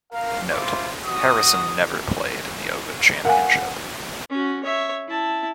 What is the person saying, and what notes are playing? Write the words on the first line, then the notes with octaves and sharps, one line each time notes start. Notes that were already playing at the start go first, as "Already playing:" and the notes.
Note: Harrison never played in The Open Championship.
A#4 F5
E4 F4 C5 D6
F#4 D#6
A#4 F5 F#5 G#5
C#4 F#4
C#5 E5
E4 A5